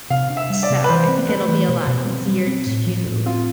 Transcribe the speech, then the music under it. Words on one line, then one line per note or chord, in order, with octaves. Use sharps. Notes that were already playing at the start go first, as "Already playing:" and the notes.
so I think it'll be a lot easier to
C3 F5
D4
E5
G3
D5
C3
B4
E3 C5
C4
A3 B4
E3
B2
B2
C4
G3
C4
A2
F3
A2
C4 F4